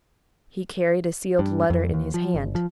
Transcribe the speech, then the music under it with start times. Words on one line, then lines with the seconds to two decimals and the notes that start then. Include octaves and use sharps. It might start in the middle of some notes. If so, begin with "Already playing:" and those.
He carried a sealed letter in his hand.
1.39 G2
1.70 F2
1.94 D#2
2.14 F3
2.34 G1
2.55 F3